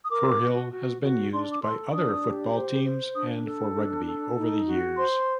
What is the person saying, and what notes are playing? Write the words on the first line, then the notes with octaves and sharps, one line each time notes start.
Firhill has been used by other football teams and for rugby over the years.
D#6
A#4 D6
F#4
F#4
F#4
D4 C6
D6
A4 C6
D4 D#6
G4
C5
C5
D4 D#6
A4
D4
A4
D#4
F#4
C5 C6